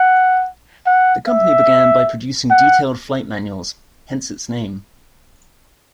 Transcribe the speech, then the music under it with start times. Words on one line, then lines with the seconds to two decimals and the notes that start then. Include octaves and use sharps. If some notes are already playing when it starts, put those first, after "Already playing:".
The company began by producing detailed flight manuals, hence its name.
Already playing: F#5
0.86 F#5
1.27 E5
2.50 F#5